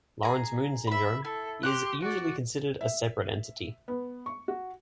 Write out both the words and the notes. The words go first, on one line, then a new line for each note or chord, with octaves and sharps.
Laurence-Moon syndrome is usually considered a separate entity.
G#4 A#5
E5 B5
E4 A4
G4 C6 F#6
F#4 D5
E5
B3
C#6
F#4